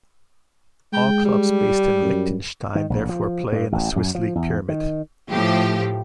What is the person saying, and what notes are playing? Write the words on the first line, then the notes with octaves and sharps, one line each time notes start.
All clubs based in Liechtenstein therefore play in the Swiss league pyramid.
G#3 G5
G3
F#2
D#3
A#1
F3
G2
A1
F#2
F3
E2
D#3
A2 F3 G4